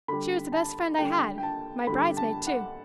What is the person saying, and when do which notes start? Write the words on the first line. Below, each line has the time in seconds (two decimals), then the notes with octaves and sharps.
She was the best friend I had,--my bridesmaid, too.
0.08 D3 G3 B5
0.52 A5
0.98 D3 G3 G5
1.38 G5
1.43 A5
1.87 D3 B5
1.92 G3
2.17 A5
2.47 F#5